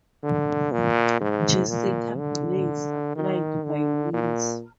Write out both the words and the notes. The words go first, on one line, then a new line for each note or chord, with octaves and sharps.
Jessica Billey supplied violins.
D3
A#2
G#2
A#2
D3
D#3
D3
A#2